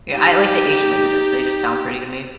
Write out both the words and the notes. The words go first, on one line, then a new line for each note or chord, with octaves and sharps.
Yeah, I like the Asian languages, they just sound pretty to me.
D#4 G4